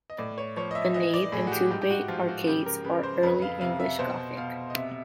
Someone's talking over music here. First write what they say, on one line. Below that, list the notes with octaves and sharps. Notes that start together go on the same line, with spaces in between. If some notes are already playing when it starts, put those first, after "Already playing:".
The nave and two-bay arcades are Early English Gothic.
D#5
A2 D5
C#5
F3 C#5
D#5
E5
E3 D#5
D5
A2 G#4
F#4
G4
G#2 G4
G4
F#4
F3 F4
F#4
C#3 G4
A#4
C#3 B4
C5
F2 B4
F5
C3 F5
E5
B2 C5
B2 F5
D#5
C3 E5